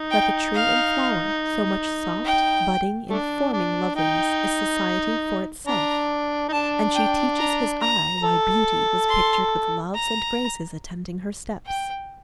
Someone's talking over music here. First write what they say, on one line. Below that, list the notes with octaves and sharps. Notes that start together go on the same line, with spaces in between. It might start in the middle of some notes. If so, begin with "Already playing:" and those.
Like a tree in flower, so much soft, budding, informing loveliness is society for itself; and she teaches his eye why Beauty was pictured with Loves and Graces attending her steps.
Already playing: D#4
G5
F5
G5
A3 D4
D4
D#4 G5
D4 A#5
D#4
D4 A5
G5
A#5
A#5
A4
C6
A#5
G5